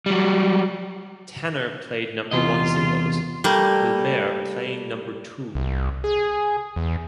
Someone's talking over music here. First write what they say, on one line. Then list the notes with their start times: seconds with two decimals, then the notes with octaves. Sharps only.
Tanner played number one singles, with Mayer playing number two.
0.06 F#3 G3
2.31 E2 C3 F4 D#5
3.44 G3 A3 A#3
5.55 C2
6.04 G#4
6.76 E2